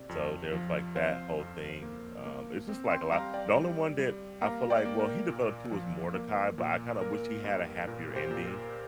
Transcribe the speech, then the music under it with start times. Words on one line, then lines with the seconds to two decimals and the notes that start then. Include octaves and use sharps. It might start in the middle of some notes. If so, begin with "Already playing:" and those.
so, there was, like, that whole thing, um, it's just like a lot the only one that I feel like well, he developed too as Mordecai, but I kinda wish he had a happier ending
Already playing: C3 D5
0.09 F2
0.52 F3
0.96 C4 C5 F5
1.39 F2
1.82 A#3
2.25 A#3
2.69 C4
2.91 G5 C6
3.02 C6
3.12 G3 F5 A#5
3.34 D5 G5
3.56 G3
3.99 G3
4.41 A#3 F5 A#5
4.70 D5 G5
4.85 A#3
4.99 A#4 D5
5.28 A#2
5.71 F3
6.15 A#3
6.58 A#2
7.01 A#3 A#4
7.44 G2
7.87 A#2 A#4
8.16 G4 C5
8.31 A#2
8.45 A#4